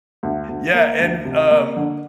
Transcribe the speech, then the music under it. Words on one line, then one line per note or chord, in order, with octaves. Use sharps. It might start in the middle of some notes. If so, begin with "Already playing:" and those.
yeah, and, um
D2
D2
A#3
D2
C3
A#3
D3